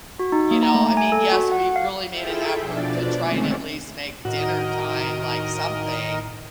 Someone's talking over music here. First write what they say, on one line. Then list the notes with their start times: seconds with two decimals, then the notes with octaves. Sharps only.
you know I mean, yes, we really made an effort to try and at least make dinner time, like, something
0.19 F#4
0.32 D#4
0.51 A#3
0.63 A#5
0.75 A3
0.97 G#5
1.12 A4
1.32 F#4
1.52 F#5
1.76 F5
2.09 E4 F4 G#4 A4 E5 G5
2.58 B2 F3 D4 D5
3.21 D3 D#3 G#3 A3 C4 C#4
4.25 A2 D#3 F#4 A#4 D#5